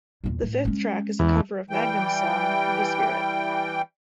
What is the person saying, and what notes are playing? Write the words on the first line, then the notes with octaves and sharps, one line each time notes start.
The fifth track is a cover of Magnum's song "The Spirit".
E2 A#2
A2
G#3 C#4
E2
E3 G3 G5